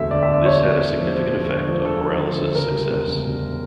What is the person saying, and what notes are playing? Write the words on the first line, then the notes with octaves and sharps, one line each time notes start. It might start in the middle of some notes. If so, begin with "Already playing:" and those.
This had a significant effect on Morales' success.
Already playing: E1 D2 E5
D3 D5
E5
D3
D5
D2 C#5
E1
D2
F3
F3
E1
D3
F3
D3 A4
F3
F3
D2
C#3 A#4
G3
E1
C#3
E1